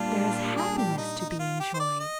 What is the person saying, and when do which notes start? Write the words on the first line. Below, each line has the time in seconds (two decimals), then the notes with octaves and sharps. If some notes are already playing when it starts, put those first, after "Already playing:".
There is happiness to be enjoyed!
Already playing: A#2 G3 D4 F4
0.57 G#4
0.78 G4
0.98 D#4
1.19 D#4
1.29 D#4
1.39 F4
1.60 G4
1.74 C5
1.79 D5
2.00 D#5